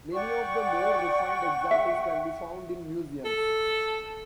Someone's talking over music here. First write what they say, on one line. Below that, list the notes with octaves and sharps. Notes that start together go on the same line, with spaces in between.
Many of the more refined examples can be found in museums.
D5 F#5 G5 C#6
E5
A4